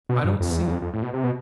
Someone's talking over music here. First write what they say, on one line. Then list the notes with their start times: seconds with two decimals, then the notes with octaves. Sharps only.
I don't see.
0.09 B2
0.24 G2
0.40 F2
0.50 E2
0.60 F2
0.67 E2
0.71 F2
0.82 F2
0.93 A2
1.02 B2
1.13 C3
1.24 B2